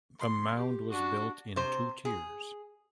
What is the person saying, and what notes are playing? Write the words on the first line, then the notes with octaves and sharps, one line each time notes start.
The mound was built in two tiers.
C6
G4
D4 F#4
C3 C5
G#4